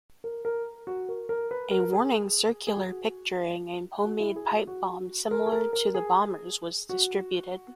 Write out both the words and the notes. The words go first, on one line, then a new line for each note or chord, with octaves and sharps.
A warning circular picturing a homemade pipe bomb similar to the bomber's was distributed.
A#4
A#4
F#4
A#4
A#4
B4
A#4
G#4
G#4
F#4
F#4
E4
G#4
F#4
F#4
A#4
G#4
A#4
A#4
G#4
F#4